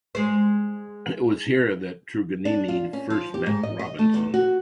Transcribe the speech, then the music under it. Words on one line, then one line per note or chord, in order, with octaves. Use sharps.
It was here that Truganini first met Robinson.
G#3 C5
D4
F4
C#4
F3
G4
G#2
D#5
D#5
A3
E2
F#4